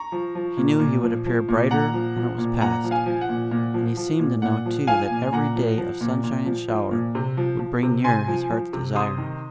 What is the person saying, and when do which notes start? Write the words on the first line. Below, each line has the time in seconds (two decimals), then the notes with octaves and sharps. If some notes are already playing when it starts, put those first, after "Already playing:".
He knew he would appear brighter when it was past, and he seemed to know, too, that every day of sunshine and shower would bring nearer his heart's desire.
Already playing: A#5 C#6
0.12 F3
0.35 F3
0.57 A#2
0.80 A#2
1.03 F3
1.26 F3
1.49 A#2
1.71 A#2 F#5 A#5
1.94 F3
2.16 F3
2.38 A#2
2.61 A#2 F#5 A#5
2.84 F3
2.91 F5 G#5
3.06 F3
3.21 F#5
3.29 A#2
3.51 A#2
3.74 F3
3.97 F3
4.19 A#2
4.42 A#2 F#5
4.66 F3
4.87 F3 F5 G#5
5.10 A#2
5.32 A#2 F#5 A#5
5.56 F3
5.78 F3
6.01 A#2
6.24 A#2
6.46 F3
6.69 F3
6.91 A#2
7.15 C3
7.37 F3
7.59 F3
7.83 C3
8.04 C3 G#5 C6
8.27 F3
8.51 F3
8.73 C3
8.95 C3 C6 D#6
9.18 D#3